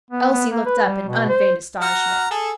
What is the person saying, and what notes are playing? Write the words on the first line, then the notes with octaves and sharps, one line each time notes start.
Elsie looked up in unfeigned astonishment.
B3
B3
A#3
B4
G3
B2
C5
F#4 A#5 F6
G#4 A4